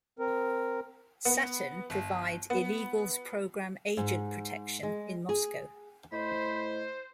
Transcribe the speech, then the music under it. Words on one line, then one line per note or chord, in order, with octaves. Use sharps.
Saturn provide illegals program agent protection in Moscow.
C4 A#4
B3
G1
B3
G#2
G#3
G#4
A2 C5 D#5 B5